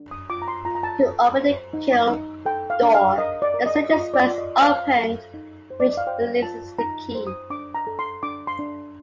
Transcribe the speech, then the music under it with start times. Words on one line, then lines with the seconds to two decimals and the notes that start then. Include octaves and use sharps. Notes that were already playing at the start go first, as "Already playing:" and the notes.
To open the kiln door, the switch is first opened, which releases the key.
Already playing: D4
0.11 D#6
0.29 F4 D6
0.42 A#5
0.48 C6
0.65 F4 A#5
0.75 A#5
0.83 A5
1.02 A4
1.38 C5
1.73 D#4
2.10 D#4
2.46 A4 G5
2.70 F5
2.82 D4
2.94 F5
3.18 A#4 D#5
3.42 D5
3.54 A#4
3.66 D#5
3.90 F4 D#5
4.14 D5
4.26 F4
4.38 D#5
4.62 C5 F5
4.98 A4
5.34 D#4
5.70 C5
5.80 D5
5.89 D#5
5.97 F5
6.07 C5 G5
6.42 F4 A5
6.78 D#4 A#5
7.15 C5
7.27 D#6
7.50 D4 D6
7.75 A#5
7.87 A4
7.99 C6
8.23 D4 D6
8.47 C6
8.59 D4